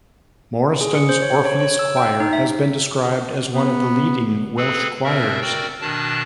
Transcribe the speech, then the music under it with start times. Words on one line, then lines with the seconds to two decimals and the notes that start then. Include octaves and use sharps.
Morriston's Orpheus Choir has been described as one of the leading Welsh choirs.
0.81 G#4
0.95 C#7
1.09 C5
1.22 C#5
1.45 C#5
1.61 C#5
1.79 E6
1.97 G5
2.20 D#4
2.33 E5
3.52 B3
4.57 C4 G#4 A4 B4
5.04 B2 C4 A#4 E5
5.42 F#4 A#4 D5 G5 E6
5.81 B2 D#3 D4 A5